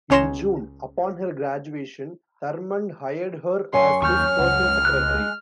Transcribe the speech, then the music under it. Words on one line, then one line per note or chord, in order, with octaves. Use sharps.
In June, upon her graduation, Thurmond hired her as his personal secretary.
C#2 C#4 C#5 C6 A#6 E7
F#2 C#5 G#5 C6
D#2 C#6 F6 G6
C#2 F#5
G#3 F#6